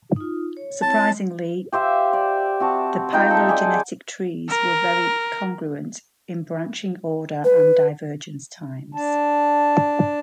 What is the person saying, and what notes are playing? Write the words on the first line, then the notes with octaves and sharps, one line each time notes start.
Surprisingly, the phylogenetic trees were very congruent in branching order and divergence times.
D#4 F4
C#5
C4 E4 C#5 A5
G4 C5 E5 F5
D5
C4 F#4 A5
D#4 F4 C5 G5
A4 E5 A5
G#4 D5 A5
A#4
B4
D4 A5